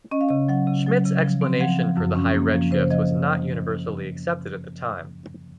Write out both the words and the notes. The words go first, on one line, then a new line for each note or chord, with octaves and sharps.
Schmidt's explanation for the high redshift was not universally accepted at the time.
C#4 D#5
F5
C#3 D#5
F#3 F#5
C#3
F#3
C#3
F3
C4
F3 F#5
F3
F#2
C#4
A#3
F3
C#3 C5
F3 D#5